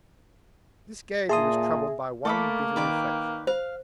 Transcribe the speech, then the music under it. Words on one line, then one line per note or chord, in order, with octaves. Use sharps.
This gayety was troubled by one bitter reflection.
A#2 G#4 E5 A5 C6 D#6
A3 A#3 A4 D5 B5
D#3 B4 D5 G5
C5 F5